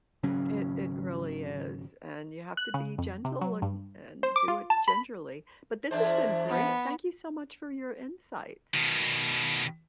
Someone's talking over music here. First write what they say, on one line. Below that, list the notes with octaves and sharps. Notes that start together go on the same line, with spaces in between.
It it really is. And you have to be gentle and and do it gingerly. But this has been great. Thank you so much for your insights.
G#1 C#3 F#3 C#4
F#6
C#3
F2
C3
F#3
G2
C5
D6
F4
A5
B5
E2 D4 C5 E5
B3
B2 D#3